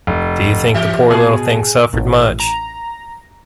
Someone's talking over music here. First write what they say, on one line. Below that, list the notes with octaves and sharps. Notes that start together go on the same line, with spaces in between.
Do you think the poor little thing suffered much?
F1
E3 G4 E5
B2 G#4
A1
A#5